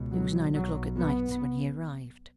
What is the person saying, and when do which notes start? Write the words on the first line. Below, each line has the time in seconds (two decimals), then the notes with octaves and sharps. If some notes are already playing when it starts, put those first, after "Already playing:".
It was nine o'clock at night when he arrived.
Already playing: C#2 B2
0.12 F#3
0.54 B1 B2 F#3
0.96 B3